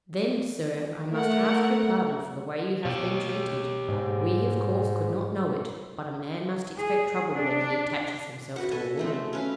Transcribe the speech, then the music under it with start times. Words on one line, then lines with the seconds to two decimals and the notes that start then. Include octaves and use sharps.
"Then, sir, I must ask your pardon for the way you have been treated. We, of course, could not know it, but a man must expect trouble when he attaches himself to a woman."
1.12 A3 A#4 F#5
2.85 B2 G4 C#5
3.89 G#2
6.79 G#4
7.35 D4
8.56 F#4 B4 F#5
8.71 A4 G#5
8.97 G#3 A3 C4
9.33 C#4 B4 F5